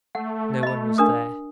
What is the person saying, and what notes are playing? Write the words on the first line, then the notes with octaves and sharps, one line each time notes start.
No one was there.
A3 F#5
D#5 B5
D4 A#4 D#6